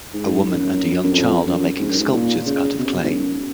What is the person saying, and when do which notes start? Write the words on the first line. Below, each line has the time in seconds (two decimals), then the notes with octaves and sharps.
A woman and a young child are making sculptures out of clay.
0.13 G#2
0.39 G#2
0.46 F#2
1.04 F#2
1.13 F2
1.46 F#2
1.79 G#2
1.90 F#2
2.00 G#2
2.12 A#2
2.46 C#3
2.79 B2
2.86 C#3
2.93 B2
3.03 G#2
3.11 F#2